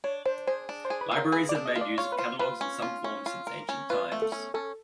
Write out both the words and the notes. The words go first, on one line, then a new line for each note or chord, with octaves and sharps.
Libraries have made use of catalogs in some form since ancient times.
D4 C#5
D4 C5
G#4 C5
D4
C5
G#4
B4
F4 A#4
G#4 B4
D5
D4
D#5
F4
D5
F4 C#5
B4
F4 C5
F4 B4
C#4
F4
C#4
F4
A#4
C#4
F4 B4
A3
A4
C#4
C#4 A4